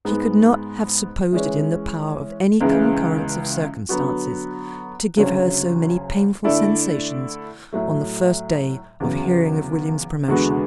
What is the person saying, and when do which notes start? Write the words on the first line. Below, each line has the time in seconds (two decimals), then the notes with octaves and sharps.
She could not have supposed it in the power of any concurrence of circumstances to give her so many painful sensations on the first day of hearing of William's promotion.
0.05 G#2 G#3 B3
1.32 E3 G#3 C#4
2.61 C#2 C#3 E3 G#3
3.89 D3 F#3 B3 F#4
5.17 D2 C#3 F#3 C#4
6.44 D3 A3 E4 A4 D5
7.72 A2 F#3 A3
9.00 E2 C#3 F#3
10.28 E2 D3 G#3 B3 F#4